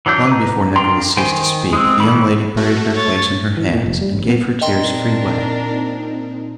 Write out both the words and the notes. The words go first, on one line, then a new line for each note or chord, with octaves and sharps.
Long before Nicholas ceased to speak, the young lady buried her face in her hands, and gave her tears free way.
E3 F#3 D4 G6
B4 A#5
D4 F4 G5 A#5 C6
D#3 C5 G5 G#5
G#3 C4
D#3 E3 B5
A3 F#4
C#5 A6
E3
A#2
F1
G3
A1
B3
A#2 C4 D4 D#4 A#4 D#5 G5 C6